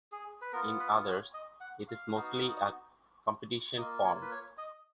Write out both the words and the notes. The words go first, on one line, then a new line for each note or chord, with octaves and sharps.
In others, it is mostly a competition form.
G#4
B4
B3 F4 A#4
B4
C#5
D#5
F#5
F5
B3 D#4 F#4
A#3 F4 D#5
C#5
B4
C#5
D#5